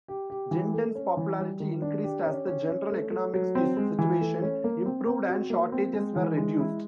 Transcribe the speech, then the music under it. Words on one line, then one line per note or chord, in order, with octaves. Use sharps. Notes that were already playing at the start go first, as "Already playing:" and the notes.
Genden's popularity increased as the general economic situation improved and shortages were reduced.
G4
G4
E3
A3
C#4
E3
G3
D#3
D4
G4
C#4
C#4
C#4
A3
A3
F#3
C4
G#3
E3
A3
C#4
A#3
C4
C4
F#4
A#3
C4
G#3
E3
G#3
E4